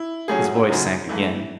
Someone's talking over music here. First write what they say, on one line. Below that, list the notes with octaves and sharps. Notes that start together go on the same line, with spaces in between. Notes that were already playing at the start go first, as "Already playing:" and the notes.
His voice sank again.
Already playing: E4
A2 F#3 C#4 G#4
F#4
E4
F#2 C#3 F#3 C#4 D#4
G#2 E3 A3 E4